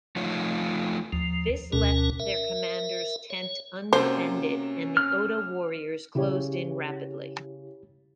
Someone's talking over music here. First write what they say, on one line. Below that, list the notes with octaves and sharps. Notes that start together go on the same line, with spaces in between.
This left their commander's tent undefended, and the Oda warriors closed in rapidly.
F3 A3 D#4 F4 C#5
D#2 F3
D2 B2 C#4 A#4
A#4 E5
C#5
C3 A#3 C#4 F#4 C5
F6
C#3 E4 G4 C#5